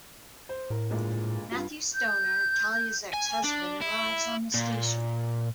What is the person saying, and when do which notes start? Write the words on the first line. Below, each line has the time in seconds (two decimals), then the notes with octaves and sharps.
Matthew Stoner, Talia's ex-husband, arrives on the station.
0.49 C5
0.70 A2 A#4
0.90 G1 A#2 G#3
1.52 G2 F4
1.94 G6
3.14 G#5
3.44 D4
3.82 E4
4.54 A#2